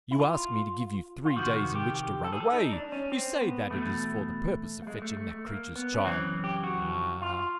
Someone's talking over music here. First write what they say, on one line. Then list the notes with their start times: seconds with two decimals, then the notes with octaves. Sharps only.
You ask me to give you three days in which to run away! You say that it is for the purpose of fetching that creature's child! Ah!
0.11 E4
0.20 F4
1.25 F4
1.36 F2 C3 D#3 F#4
1.56 F#4
1.75 G4
1.95 G4
2.24 A4
2.33 G#4
2.40 A4
2.53 D#4
2.73 D4
2.92 C#4
3.12 C4
3.41 B3
3.70 E2 B2 A3
4.82 A3
4.87 G#3
5.02 A3
5.17 A3
5.32 A3
5.46 A#3
5.76 B3
5.94 C#4
6.05 F#2 C#3 E3 C4
6.44 G4
6.64 F#4
7.22 F4